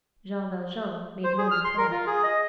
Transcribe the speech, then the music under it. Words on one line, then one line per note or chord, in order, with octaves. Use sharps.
Jean Valjean made no reply.
C5
G#4
F6
C6
A#4
F4
G#4
D#5